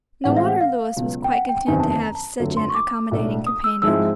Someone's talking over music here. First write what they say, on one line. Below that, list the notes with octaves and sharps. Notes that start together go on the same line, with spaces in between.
No wonder Louis was quite content to have such an accommodating companion!
A1 A2 E3 G#3 C4 F#5
F5
F#5
F5
C#2 B2 F#3
G5
F#5
G5
F#1 E2 C3 D#3 G#5
A5
A5
A#5
A5
G1 F2 D3 F#3 A3
C6
C#6
D6
B1 A2 F#3 A3 D4
D#6
E6
G#2 F3 G#3 C4 E4 E6